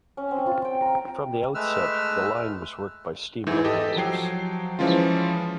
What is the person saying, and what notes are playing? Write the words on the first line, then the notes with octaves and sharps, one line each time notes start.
From the outset, the line was worked by steam locomotives.
C#4
C4
F4
G5
A#5
G#3 A3 B4 E6 F6
G#2 E3 G6
G4 A4 D#5
F3 F#3 G5 G#6 C7
E3 F3 G#3 C#4 F4